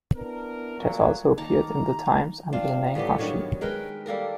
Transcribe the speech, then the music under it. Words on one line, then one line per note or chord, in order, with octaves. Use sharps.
It has also appeared in "The Times" under the name "Hashi".
B3 D4 E4 A#4
G1 C#2 F#2 A#2 F#3
D#3 A#3 A5 A#5
C4 D4 F4
A2 G3 B3 G4
G2 D#3 F#3 C#5
G#3 A#4 B4 G5
G3 A#3 A4 A#4